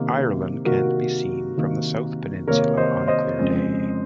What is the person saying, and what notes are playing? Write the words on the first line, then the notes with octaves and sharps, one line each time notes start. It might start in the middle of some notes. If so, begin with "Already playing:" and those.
Ireland can be seen from the south peninsula on a clear day.
Already playing: C3 D#3 A#3
C3 D#3 A#3 F#4 A#4
C3 D#3 A#3
C3 D#3 A#3 A#4 C#5
C5 D#5
C5 D#5
F2 C#3 G#3 C4